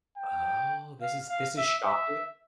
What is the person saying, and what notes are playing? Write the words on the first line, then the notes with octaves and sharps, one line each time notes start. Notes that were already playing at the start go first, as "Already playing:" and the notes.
Oh, this is this is shocking.
G5
F5
F5
E5
E5